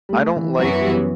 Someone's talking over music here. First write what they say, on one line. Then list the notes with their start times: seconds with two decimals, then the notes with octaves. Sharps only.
I don't like
0.09 G3
0.13 A3
0.37 E3
0.58 F#2 E3 F#3 B3 F#4
0.81 G3
0.93 C#4